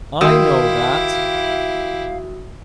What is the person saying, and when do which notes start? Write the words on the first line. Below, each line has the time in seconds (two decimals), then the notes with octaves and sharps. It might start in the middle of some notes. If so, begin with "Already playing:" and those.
"I know that."
0.21 D#3 E4 F#4 G4 F5 D#6 E6